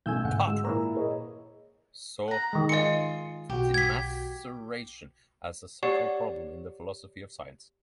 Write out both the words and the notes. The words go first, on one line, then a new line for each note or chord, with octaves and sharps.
Popper saw demarcation as a central problem in the philosophy of science.
B1 C#3 A3 G#5 E6 G6
G#2 D3 F#5
G#3 E6
A#2 E4 A#5
G#4 C#5 D#5
F#5 A#5
D#3 G#3
F4 G#4 D#5 C6 C#7
B1 F#4 G4
G#6 B6
G4 C#5 D5 F#5 C#6 C7